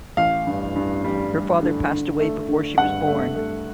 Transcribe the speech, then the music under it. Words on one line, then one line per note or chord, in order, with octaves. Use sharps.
Her father passed away before she was born.
A1 F5
G2
G2
G3
G3
D3
D3
A3
D3
G2 F#5
A3
A3